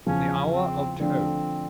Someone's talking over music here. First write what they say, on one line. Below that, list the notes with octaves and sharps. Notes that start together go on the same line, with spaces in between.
The hour of Toad!
E2 C#3 F3 C#4
C#4
C4
D3 F3 A3 C4 D4